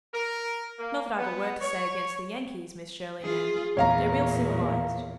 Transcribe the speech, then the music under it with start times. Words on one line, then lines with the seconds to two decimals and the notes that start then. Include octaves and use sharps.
Not that I've a word to say against the Yankees, Miss Shirley, ma'am. They're real civilized.
0.14 A#4
0.79 A#3
1.18 B3
1.61 C#5
3.22 F4 G#4
3.77 E2 A#2 C#5 F5 A#5